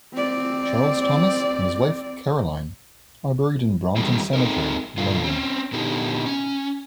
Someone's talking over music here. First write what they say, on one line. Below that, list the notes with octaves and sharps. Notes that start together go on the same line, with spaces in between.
Charles Thomas and his wife Caroline are buried in Brompton Cemetery, London.
C4 D5
E2 D#3 F#3 G3 A3 C4
C4 D#4 A4 A#4
F#2 A#2 D3 A3 F4
C4 C#4
A#2 D3 B3 D#4 E4 G4
C#4